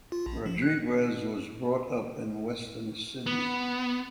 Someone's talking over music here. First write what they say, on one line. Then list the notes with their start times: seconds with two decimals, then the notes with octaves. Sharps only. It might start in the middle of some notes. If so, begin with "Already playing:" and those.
Rodriguez was brought up in Western Sydney.
0.12 F4
0.26 A#1
0.46 F3
0.62 F#6
3.26 B3